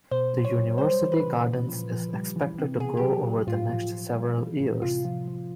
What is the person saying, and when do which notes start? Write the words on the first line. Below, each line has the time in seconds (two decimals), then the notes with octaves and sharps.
The University gardens is expected to grow over the next several years.
0.11 B2 C5
0.34 F#3
0.45 C#5
0.55 F#3
0.78 G3 C5
1.01 E3
1.12 B4
1.24 C#3
1.46 A#2
1.68 F3
1.91 F3
2.14 G3
2.36 E3
2.58 C3
2.80 B2 G#4
2.97 F#3 G4
3.25 F#3
3.47 A2 F4
3.69 F3
3.92 F3
4.14 G3
4.37 E3
4.60 A2
4.82 C3 F4
5.05 F3
5.28 F3